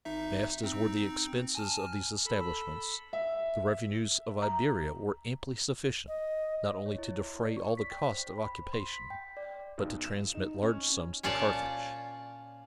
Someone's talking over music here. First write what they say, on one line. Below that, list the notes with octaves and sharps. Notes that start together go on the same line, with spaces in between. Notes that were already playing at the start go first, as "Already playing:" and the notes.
Vast as were the expenses of these establishments, the revenues of Iberia were amply sufficient not only to defray all the cost of occupation, but to transmit large sums to Carthage.
G#1 D#4 E5
C4 D#4
G#5 A5 F6
A4 B5
E5
A#5
D#5
C#5
E4
D5
C#6
B6
G5
C5
B5
C6
B6
G5
D5
B1
E7
D#4
C#4
A#2 C#4 F4 C#5 D5 A5